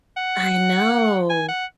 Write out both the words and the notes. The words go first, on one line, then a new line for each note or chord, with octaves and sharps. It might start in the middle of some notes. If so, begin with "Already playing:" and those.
I know.
F#5
G#5
F#5